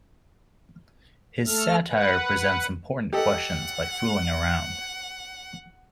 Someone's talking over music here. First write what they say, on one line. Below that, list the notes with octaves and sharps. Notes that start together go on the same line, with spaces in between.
His satire presents important questions by fooling around.
A3 A4 F6
B4 F#5
G4 A4 D#5 F#5